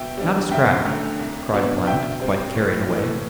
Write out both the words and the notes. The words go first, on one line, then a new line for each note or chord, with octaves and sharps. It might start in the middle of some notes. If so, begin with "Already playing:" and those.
"Not a scrap," cried Blount, quite carried away.
Already playing: B2 E5 G5
G3 D4
F#2 E5 G5
D3 A3
C2
B2 F#3 B3 D4
B2 E5 G5
G3 C4
A2
E3 A3